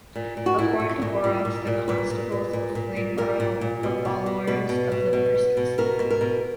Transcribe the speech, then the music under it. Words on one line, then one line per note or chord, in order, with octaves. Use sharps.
According to Horrox, the Constables of Flamborough were followers of the Percys.
A#2
A#2
F#4
A#2 E4
A#2
A#2
A#2
A#2
A#2
A#2 B4
A#2
A#2
A#2
A#2
A#2
A#2 A#4
A#2
A#2
B2
B2
B2
B2 B4
B2
B2
B2
B2
B2
B2 A#4
B2
A#4
B2